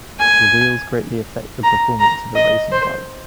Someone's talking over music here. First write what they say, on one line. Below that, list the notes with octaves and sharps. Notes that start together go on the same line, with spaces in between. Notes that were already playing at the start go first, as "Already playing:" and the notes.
The wheels greatly affect the performance of a racing bike.
G#5
A#5
A#5
D#5
C5